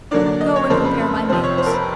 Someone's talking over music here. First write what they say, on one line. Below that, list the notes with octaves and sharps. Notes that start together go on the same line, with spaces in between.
"Go and prepare my mails."
D3 F#3 A#3 D4 D5
D5
D#5
C#5
F2 C#3 F3 A#3 C5
B4
B4
F2 C3 F3 C5
C#5
C5
A#4
B4